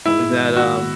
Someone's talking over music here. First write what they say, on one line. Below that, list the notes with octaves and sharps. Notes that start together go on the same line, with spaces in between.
that, um,
G#2 D#3 G#3 B3 E4
F#4